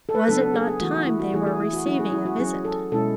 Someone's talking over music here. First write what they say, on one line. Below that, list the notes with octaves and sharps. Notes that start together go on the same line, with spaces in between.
Was it not time they were receiving a visit?
A4
B4
C#3 F#3 B3 D4 A4
A4
G#4
G#4
E3 A3 E4 F#4
F#4
E4
F#4
E3 A3 E4 G#4
G#4
E4
F#4
F#3 C#4 E4 F#4
G#4
E4
F#4
F#3 C#4 E4 G#4
A4
B2 G#3 C#4 E4 A4